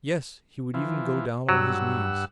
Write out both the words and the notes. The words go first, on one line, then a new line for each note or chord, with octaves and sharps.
"Yes, he would even go down on his knees."
E3 F3
G2 F#3 F#5 E6